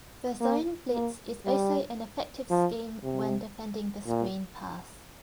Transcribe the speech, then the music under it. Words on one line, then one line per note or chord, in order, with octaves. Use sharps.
The zone blitz is also an effective scheme when defending the screen pass.
A#3
A#3
G3
F3
C3
A#2